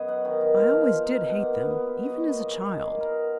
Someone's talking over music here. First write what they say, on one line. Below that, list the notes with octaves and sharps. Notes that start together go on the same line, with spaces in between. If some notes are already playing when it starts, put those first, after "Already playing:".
I always did hate them, even as a child.
Already playing: F#2 B3 G#4 D#5
F#3 F#5
D#3
D#3
F3 F5
F3
F5
F3
D#4 F5
B2 F5
F#5
A#3 F5
B3
B3
B3
F#3 D#5
A#2
B4
A#2
D#4 G#4
D#4 F#4
A#3 G#4
B3 A#4